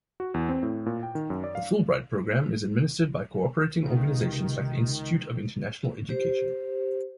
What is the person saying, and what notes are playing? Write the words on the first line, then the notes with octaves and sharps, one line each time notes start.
The Fulbright Program is administered by cooperating organizations like the Institute of International Education.
F#4
E2
C4
A2
A#2
G5
D#3
F#2
D5
F5
C#2 C3 D#3
G4 C5